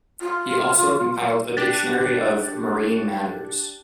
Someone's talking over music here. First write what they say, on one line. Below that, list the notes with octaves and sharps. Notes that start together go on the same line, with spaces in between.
He also compiled a dictionary of marine matters.
F4
D4 G4 F#6 A6